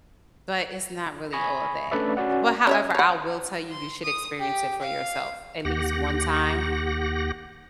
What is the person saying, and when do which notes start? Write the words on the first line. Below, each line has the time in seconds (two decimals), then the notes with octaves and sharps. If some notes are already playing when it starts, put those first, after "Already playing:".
But, it's not really all that, but however, I will tell you, you should experience it for yourself at least one time.
1.33 G#5 B5 C#6 D#6 A#6
1.91 A3 C#4 D4 B4 D5 E5
2.17 C#4 F#4 D5 F#5
2.67 C#4 C#5 E5
2.95 C#5 F#5
3.71 C6
4.03 D#6
4.39 G4
4.81 F5
5.65 D#2 G4 F#5 A#6